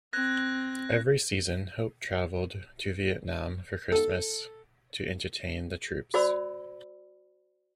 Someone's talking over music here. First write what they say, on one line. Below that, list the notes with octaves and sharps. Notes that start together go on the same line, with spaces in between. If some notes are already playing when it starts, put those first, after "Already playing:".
Every season, Hope traveled to Vietnam for Christmas, to entertain the troops.
C4 F#6 G#6 A#6
A4
F#4 C5 D5 B5 E6